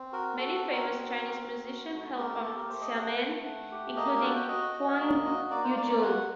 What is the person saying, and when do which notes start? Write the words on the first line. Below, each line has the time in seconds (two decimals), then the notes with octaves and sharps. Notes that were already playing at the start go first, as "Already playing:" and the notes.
Many famous Chinese musicians hail from Xiamen, including Huang Yujun.
Already playing: C4
0.13 F#4 A#4
0.38 F#4 A4
0.56 A4
0.63 C4
0.72 A#4
0.89 F#4
1.16 C4
1.41 F#4
1.66 F#4
1.92 A3
2.17 G4 A#4
2.43 G4 A4
2.57 A#4
2.69 A3 C5
2.81 D#5
2.95 A3 F#5
3.20 A3
3.45 A3
3.72 G4
3.96 A#3 D#5
4.10 A#4
4.22 F#4 A4
4.36 G5
4.48 F#4 D#5
4.74 F#4
5.00 A#3
5.26 F#4
5.50 A#3 D5
5.64 C5
5.76 A#3 D5
5.90 D5
6.02 F#4 F#5